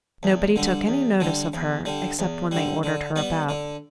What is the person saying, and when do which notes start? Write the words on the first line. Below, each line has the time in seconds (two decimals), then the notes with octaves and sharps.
Nobody took any notice of her except when they ordered her about.
0.23 E2
0.56 D3 G3
0.87 E2
1.20 D3 G3
1.53 E2
1.85 D3 G3
2.19 E2
2.51 D3 G3
2.83 D3
3.16 G3 B3
3.49 D3